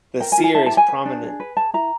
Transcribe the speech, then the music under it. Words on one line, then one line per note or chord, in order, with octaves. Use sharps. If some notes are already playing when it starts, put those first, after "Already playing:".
The cere is prominent.
A#4 G5
G#5
F4
G#5
E4 A5
A5
G4
G#5
B4
D4
G#4
B4
G#4 A5
E4 A#5